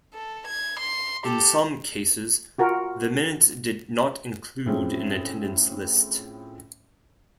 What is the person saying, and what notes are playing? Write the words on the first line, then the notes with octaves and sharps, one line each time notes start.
In some cases the minutes did not include an attendance list.
A4
G#6
C6
G4 A4
F4 F#4 A#4
A2 F3 C4 C#4 G#4